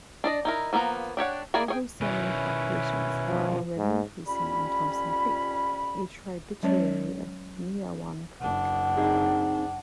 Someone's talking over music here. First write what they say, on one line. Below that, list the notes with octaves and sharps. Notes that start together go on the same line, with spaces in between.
Coho salmon populations are already increasing on Thompson Creek, a tributary of Neawanna Creek.
D4 D5 D#5
D#4 E4 A#4
F3 A#3 B3 G#4 A#5
D4 G4 C#5 F#5
A#3 E4 G#4 D5 G#5
G#4 C#5 G5
B2 D#3 C#4 E4 B4
F3
G#2
F2 G3 C#4 F4 B5
F#3 G#3 C#4 C#5
F#1 D4 F#5
C4 D#4 G#4